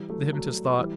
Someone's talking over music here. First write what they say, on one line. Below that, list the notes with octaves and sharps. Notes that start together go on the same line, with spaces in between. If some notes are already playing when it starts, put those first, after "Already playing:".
The hypnotist thought.
Already playing: E3 G3
F#3 A3
F#3 A3
E3 G3